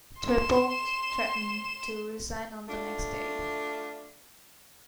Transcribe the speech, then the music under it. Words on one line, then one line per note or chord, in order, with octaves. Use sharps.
Trepov threatened to resign on the next day.
C6 E7
A3 D4 F4